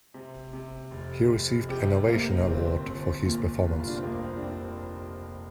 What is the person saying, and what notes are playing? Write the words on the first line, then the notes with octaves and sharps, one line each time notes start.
He received an Ovation Award for his performance.
C3
C3
F1
F1
C3 G4
C3 A#3
G1 C4
G1 C4
A#2 A#3
C2
F4
D4
C4
F2 A#3
C4
D4
F1 C4